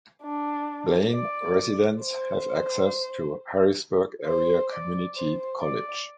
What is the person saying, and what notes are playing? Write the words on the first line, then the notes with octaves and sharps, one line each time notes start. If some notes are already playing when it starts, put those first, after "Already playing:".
Blain residents have access to Harrisburg Area Community College.
D4
D5
C5
C5
D5
C5
D5